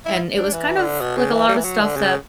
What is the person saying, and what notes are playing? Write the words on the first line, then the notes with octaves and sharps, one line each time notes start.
and it was kind of, like a lot of stuff that,
E4
D4
E3
D3
B2
C#3
E3
G3
E3
F#3
D3
C#3